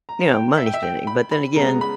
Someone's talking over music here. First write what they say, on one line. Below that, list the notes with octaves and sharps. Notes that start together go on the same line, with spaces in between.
you know, money spending. But then again
A#5
G5
E5
G5
E5
G5
B5
B5
C#3 G#3 B3 A#5
B5